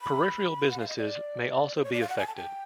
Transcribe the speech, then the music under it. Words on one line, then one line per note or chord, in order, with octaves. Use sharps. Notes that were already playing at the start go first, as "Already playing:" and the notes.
Peripheral businesses may also be affected.
B5
F#5
F5
D#5
D5
C5
C#5
D5
F5
F#5
G#5
A5
G5